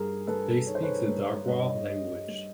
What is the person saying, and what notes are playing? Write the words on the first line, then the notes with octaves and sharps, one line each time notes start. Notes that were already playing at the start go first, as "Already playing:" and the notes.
They speak the Dargwa language.
Already playing: G2 G#4 A#4
G2 A4 B4
D#3 C#5
C5
B4 C#5
G2
G2 C#5 D#5
G3
G2